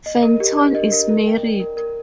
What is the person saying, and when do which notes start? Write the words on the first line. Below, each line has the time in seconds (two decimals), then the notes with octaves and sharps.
Fenton is married.
0.06 D#5
0.23 A#4
0.40 G4
0.57 D4
0.75 D#5
0.92 A#4
1.09 A#4
1.26 G5
1.43 D5
1.60 A#4
1.77 A#4